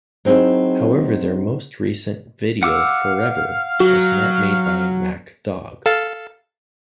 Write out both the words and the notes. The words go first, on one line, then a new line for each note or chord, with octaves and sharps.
However, their most recent video, "Forever", was not made by Mack Dawg.
F#3 C4 D#4 E4 G#4
F5 F#5 D6 E6
F#3 F#4
A4 F5 A5